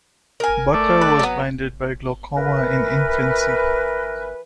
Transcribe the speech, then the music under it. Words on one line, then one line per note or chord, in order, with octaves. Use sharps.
Butler was blinded by glaucoma in infancy.
A#4 G#5
A3 D5
B4
F#3 B3
E3 A#4 B4